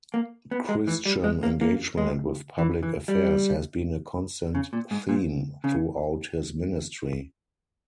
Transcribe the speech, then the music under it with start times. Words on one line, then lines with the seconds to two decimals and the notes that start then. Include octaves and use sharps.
Christian engagement with public affairs has been a constant theme throughout his ministry.
0.14 A#3
0.51 B3
0.69 G#3
0.87 E3
1.05 G3
1.24 G#3
1.43 A#3
1.61 A#3
1.97 G#3
2.58 E3
2.83 E3
3.08 G3
4.55 C#3
4.73 A#2
4.91 G#2
5.09 A#2
5.64 C#3